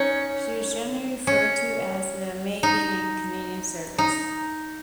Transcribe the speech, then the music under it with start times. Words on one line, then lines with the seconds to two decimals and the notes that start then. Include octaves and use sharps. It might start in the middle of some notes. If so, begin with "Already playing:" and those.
She was generally referred to as the "Maggie" in Canadian service.
Already playing: C#4 D#4
1.27 C#4
2.63 D#4
3.98 D#4